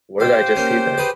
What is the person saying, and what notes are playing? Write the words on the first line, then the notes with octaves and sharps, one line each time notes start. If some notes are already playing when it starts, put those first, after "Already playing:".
What did I just see then?
G4 C5 F5
A#3 C#4
G#4 B4 D5